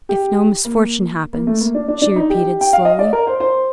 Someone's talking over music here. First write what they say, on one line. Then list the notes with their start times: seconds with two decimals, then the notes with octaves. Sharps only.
"If no misfortune happens," she repeated slowly.
0.09 G4
0.65 A#3
1.33 A#3
1.47 A3
1.61 A#3
1.75 D4
1.88 D4
2.02 D4
2.16 D#4
2.30 G4
2.61 G5
2.73 F5
2.85 D#5
2.99 D5
3.13 A#4
3.27 C5
3.40 C5